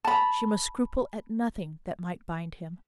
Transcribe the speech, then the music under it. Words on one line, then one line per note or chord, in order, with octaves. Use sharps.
She must scruple at nothing that might bind him.
A5 B5